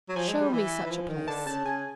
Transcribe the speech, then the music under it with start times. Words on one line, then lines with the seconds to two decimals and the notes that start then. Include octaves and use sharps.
"Show me such a place!"
0.09 F#3
0.16 F3 G#5
0.28 G#3
0.41 G3
0.53 E3
0.86 E3
0.91 F3
1.09 D#3
1.28 D3 A5
1.47 C#3 A5
1.65 C#3 G#5